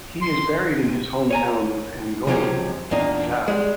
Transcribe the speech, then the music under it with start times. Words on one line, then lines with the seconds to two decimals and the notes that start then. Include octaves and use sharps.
He is buried in his hometown of Angono, Rizal.
0.22 C6
1.31 C#5 G#5 A#5
2.27 C#2 C3 F3 F#3 G4 G#4
2.91 E2 A#2 A#3 D4 D#4
3.48 G3 G#3